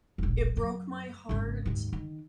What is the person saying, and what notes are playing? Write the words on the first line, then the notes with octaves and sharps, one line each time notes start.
it broke my heart
E1 A#1
F#2
G#1 C#3
D#2 G#2
D#3